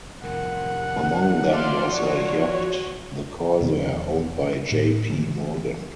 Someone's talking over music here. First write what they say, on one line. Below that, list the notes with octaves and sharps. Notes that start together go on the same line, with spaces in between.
Among them was a yacht, the "Corsair", owned by J. P. Morgan.
C2 F2 A#4 F#5
F3 A4 D5 E5 F5 C6
F#4 C#5 D5
E1 B2 D#3 F3
A2
D3 E3 A3